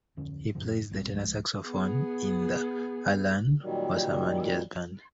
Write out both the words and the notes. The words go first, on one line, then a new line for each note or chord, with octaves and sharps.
He plays the tenor saxophone in the Alan Wasserman Jazz Band.
D1 F2 D3 C#4
F#2 A2 C#3 F3
B1 F2 G3 C4
C#2 F3 G#3
B3 G#4
A#2 D#3 F#3 G3